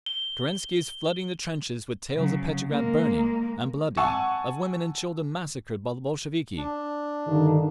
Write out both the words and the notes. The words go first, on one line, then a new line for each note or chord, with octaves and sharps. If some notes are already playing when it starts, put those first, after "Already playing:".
Kerensky is flooding the trenches with tales of Petrograd burning and bloody, of women and children massacred by the Bolsheviki.
G7
C#3 F#3
G#3 A#3
F#5 G#5 A5 C#6 E6
D4
G2 D3 D#3